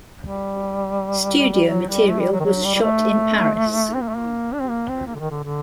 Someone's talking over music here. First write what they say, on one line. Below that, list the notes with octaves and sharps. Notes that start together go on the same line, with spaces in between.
Studio material was shot in Paris.
G3
F#3
G3
A3
G3
F#3
D#3
F#3
G3
G3
A3
C4
A#3
A3
A#3
D4
C4
A#3
C4
A#3
D3
D#3
D3
D3